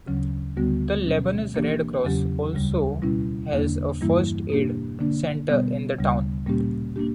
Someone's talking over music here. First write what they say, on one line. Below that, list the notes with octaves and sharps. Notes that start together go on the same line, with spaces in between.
The Lebanese Red Cross also has a first-aid center in the town.
D2 C#3 F#3 C#4
D2 D3 G3 B3 F#4
B2 F#3 C#4
E3 A#3 D4 G4
E2 C#3 F#3 C#4 G4
D2 C#3 G3
B2 G3 C#4 E4
E2 D3 A#3 D4
G2 E3 G3 A#3 E4
B2 A#3 D4 G4
D3 A#3 D4
B2 G3 B3
D2 C#3 G3
A#2 G3 A#3 C#4 G4
A#3 D4 G4